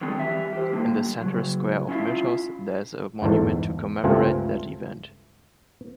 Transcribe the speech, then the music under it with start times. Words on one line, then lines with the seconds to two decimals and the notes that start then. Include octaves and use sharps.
In the central square of Myrtos there is a monument to commemorate that event.
0.01 D3 D#3 F#3 G#3 C4 D4
0.19 E3 G3 E5
0.53 G4 C5
0.72 A2 D3 G3 A#3
1.21 C#3 F#3
1.89 C#4 E4 F4 E5
3.22 G1 E2 G#2 A4
4.04 C#2 G2 A3 C4 F4 G#5